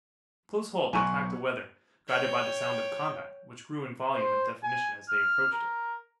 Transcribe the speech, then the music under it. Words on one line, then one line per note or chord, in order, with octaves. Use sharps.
Close-hauled they tacked aweather, guided by the sound of combat, which grew in volume and definition as they approached it.
B1 G#5 C#6 F#6
C#5 G5
C5
G#5
F6
A#4